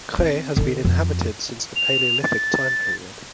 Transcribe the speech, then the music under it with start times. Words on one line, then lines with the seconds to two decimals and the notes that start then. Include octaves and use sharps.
Cres has been inhabited since the Paleolithic time period.
0.18 C4
0.57 D3 D#4
0.85 F2
1.76 F7
2.23 A6